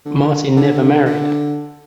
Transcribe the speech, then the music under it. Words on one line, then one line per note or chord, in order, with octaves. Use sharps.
Martin never married.
D3
D3
D3